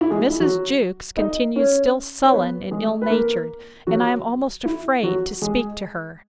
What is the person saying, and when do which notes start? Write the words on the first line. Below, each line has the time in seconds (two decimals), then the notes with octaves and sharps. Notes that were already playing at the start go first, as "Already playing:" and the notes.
Mrs. Jewkes continues still sullen and ill-natured, and I am almost afraid to speak to her.
0.01 E4
0.10 G#3 G#4
0.30 E4
0.40 F#3 F#4
1.17 D#4 D#5
1.56 C#4 C#5
2.24 C#5
2.33 B3 B4
2.71 G#3 G#4
3.02 B4
3.10 A#3 A#4
3.87 F#3 F#4
4.65 E4
5.03 F#3 F#4
5.42 G#3 G#4